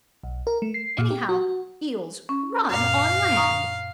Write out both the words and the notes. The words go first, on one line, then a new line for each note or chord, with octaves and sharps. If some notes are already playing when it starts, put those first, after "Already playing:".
"Anyhow, Eels run on land."
B1
A#4
A3
C7
A#2
G4
F#4
C#4
F#2 A#2 F5
A#5 C#6 D#6